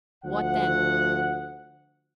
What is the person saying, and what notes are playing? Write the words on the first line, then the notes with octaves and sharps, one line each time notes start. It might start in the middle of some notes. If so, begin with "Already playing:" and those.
"What then?"
D2 F3 F#5